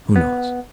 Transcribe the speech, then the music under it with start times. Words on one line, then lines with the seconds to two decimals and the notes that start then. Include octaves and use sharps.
Who knows?
0.15 B3